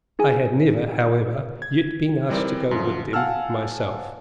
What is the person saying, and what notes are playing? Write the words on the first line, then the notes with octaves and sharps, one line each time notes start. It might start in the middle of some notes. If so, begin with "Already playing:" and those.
I had never, however, yet been asked to go with them myself.
D#4 G#4 G#5
G#6
E3 G3 C4 A#4 D5
F#2 D3 F3
F5 F#5 G#5 A5 E6 F6